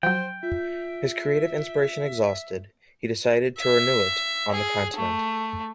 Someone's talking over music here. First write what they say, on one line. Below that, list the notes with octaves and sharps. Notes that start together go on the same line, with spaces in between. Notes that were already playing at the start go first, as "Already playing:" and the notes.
His creative inspiration exhausted, he decided to renew it on the continent.
F3 F#3 C5 G5
F4 E5
E5
G#4
A3